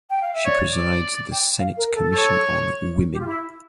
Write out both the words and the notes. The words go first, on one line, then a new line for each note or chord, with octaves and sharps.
She presides the Senate commission on women.
G5
F5
E5
C#5 D5
D5
G5
F5
A#4
A4
C#5
G4
F4
E4